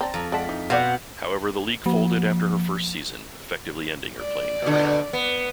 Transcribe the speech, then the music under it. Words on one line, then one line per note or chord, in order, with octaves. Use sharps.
However, the league folded after her first season, effectively ending her playing career.
C4 D5 A5 A#5
F2
G#3 D5 F#5 A5 B6
E3 D#4
B2 C4 B4 D5 F5 F#5 G6
F3 A#3
D5
B2 D3
B3